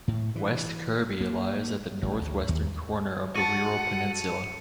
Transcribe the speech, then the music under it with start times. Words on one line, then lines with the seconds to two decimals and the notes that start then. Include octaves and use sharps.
West Kirby lies at the north-western corner of the Wirral Peninsula.
0.08 A2
0.36 E3
1.21 A#3
2.03 A1
2.21 D2
2.49 D#2
3.36 F#4 A4 F#5 A5 C#7 D#7